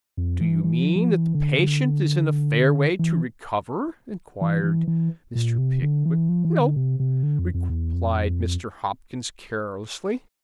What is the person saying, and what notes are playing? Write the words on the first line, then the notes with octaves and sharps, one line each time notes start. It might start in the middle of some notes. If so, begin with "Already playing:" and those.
'Do you mean that the patient is in a fair way to recover?' inquired Mr. Pickwick. 'No,' replied Mr. Hopkins carelessly.
F2
E3
E3
F3
F3
E3
D3
D3
E3
E3
E3
E3
A#2
C3
D3
E3
F3
E3
D3
C3
C3
D3
F2
F2
E2
F2